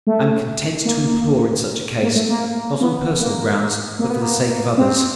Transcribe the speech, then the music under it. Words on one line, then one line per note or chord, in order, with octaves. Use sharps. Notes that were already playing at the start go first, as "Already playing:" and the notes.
I am content to implore in such a case, not on personal grounds, but for the sake of others.
A3
A#3
A#3
A3
A#3
B3
A#3
A#3
B3
A#3
C4